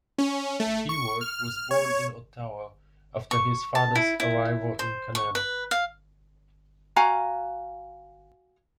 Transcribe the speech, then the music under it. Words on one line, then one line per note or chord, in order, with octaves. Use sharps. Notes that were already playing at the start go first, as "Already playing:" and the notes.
Ewart was born in Ottawa after his father's arrival in Canada.
C#4
A3
C#6
F6
C#5
C#6
A5
E4
E4
C5
C#6
B4
F5
F#4 F5 G#5 A#5